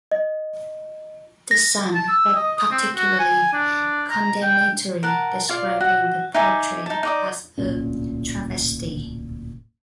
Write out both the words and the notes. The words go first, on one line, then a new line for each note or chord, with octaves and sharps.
"The Sun" was particularly condemnatory, describing the portrait as "a travesty".
D#5
A#6
A5
E6
D#5
D#6
C4
F#4
G#5
D4
A#5
G5
A#4 F#5 A5
F4 D5 F5
F#4
D#4 E5 G#5 D6
D#4 A5
D#4 D5 D#6
D1 C2 A#2 C#4